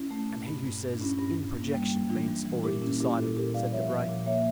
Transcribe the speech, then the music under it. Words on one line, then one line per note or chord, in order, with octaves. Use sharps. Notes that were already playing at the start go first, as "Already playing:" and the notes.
"And he who says in 'projection,' means already decided," said Debray.
Already playing: C#4 E4
A3
A#2
G2
G2
G2
D4
G2 C#4 E4
G2
G2
A#3
G3
A#3
E3 D4 F4
G3
E3
A#2 E4 G4
A#3 C#4 E4
A#2 E4 G4
A#2 F4 A4
A#2 G4 A#4
G3 D5 F5
F3 C#5 E5
F3
A#2
A#3 C#5 E5